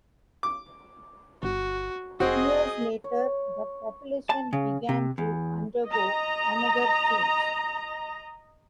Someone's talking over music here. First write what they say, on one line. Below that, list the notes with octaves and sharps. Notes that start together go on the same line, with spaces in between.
Years later the population began to undergo another change.
D6
G1 F#4
F1 C4 F#4 G#4 D#5
C#5
A5
C#3
C3
E2
D#5 A#5